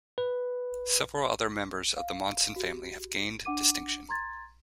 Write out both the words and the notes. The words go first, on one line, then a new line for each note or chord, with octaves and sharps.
Several other members of the Monson family have gained distinction.
B4
F5
F#4 G4
D4 F#5 D6 D#7
A#5 C6 G#6 A6